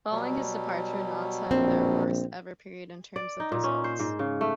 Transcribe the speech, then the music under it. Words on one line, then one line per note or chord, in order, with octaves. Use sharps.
Following his departure, Notts had their worst-ever period in terms of results.
B2 F#3 G3
A#1 C4
D5
D#4
A#2
C#4
C5
G#2
C#3
A3